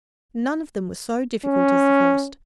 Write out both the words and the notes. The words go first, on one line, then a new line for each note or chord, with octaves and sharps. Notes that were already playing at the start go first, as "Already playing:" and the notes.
None of them was so difficult as the first.
C#4